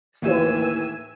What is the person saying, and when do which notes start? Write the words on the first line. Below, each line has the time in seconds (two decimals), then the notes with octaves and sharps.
So it was, like
0.22 D#2 A2 E3 A#3 D#4 G#5 E6